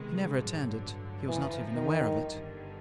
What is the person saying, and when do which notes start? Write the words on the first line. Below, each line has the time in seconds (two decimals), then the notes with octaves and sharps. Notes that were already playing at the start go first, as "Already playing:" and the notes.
He never returned it--he was not even aware of it.
Already playing: C3 D#3 G#3 B3
0.33 A1 G2 D3 F#3
1.28 F2 D3 E3 F3 A#3 D#4
1.76 D#3
2.23 G1 G2 D3